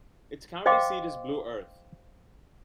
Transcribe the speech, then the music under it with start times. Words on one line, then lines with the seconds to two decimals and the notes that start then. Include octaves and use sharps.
Its county seat is Blue Earth.
0.66 C5 D#5 F5 G5 C6 D6